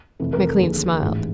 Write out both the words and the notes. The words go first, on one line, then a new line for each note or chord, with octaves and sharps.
McLean smiled.
F1 F2 C3 E3 A4
A#4
A4
D#2 D3 F3 G#4
A1 G#2 E3